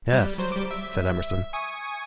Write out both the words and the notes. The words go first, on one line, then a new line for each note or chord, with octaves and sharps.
"Yes," said Emerson.
G3
F#3 C5
G3 D6
E5
G#5 C#6 D#6